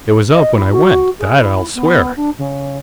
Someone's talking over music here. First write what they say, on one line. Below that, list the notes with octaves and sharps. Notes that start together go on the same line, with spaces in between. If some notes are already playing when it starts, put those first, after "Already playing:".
'It was up when I went, that I'll swear.
D#5
E4
F#4
G#4
E4
B3
D4
C#3